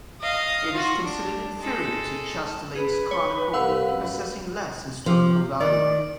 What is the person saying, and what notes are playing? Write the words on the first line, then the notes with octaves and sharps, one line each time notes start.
It is considered inferior to Chastellain's chronicle, possessing less historical value.
D#5 F5
F4 F#4
D4
G#3 A4
G#4 B4
C#5
C2 F5 F#5 E6
F#2
F3
D#3 D5